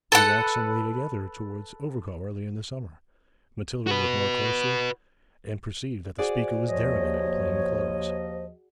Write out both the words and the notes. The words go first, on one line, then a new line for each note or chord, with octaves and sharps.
We walked some way together towards Overcombe earlier in the summer.' Matilda looked more closely, and perceived that the speaker was Derriman, in plain clothes.
A4 B4 F#5
F#4 B4
F#4 G#4 C5 D5
D#2 F3 C#5 D#5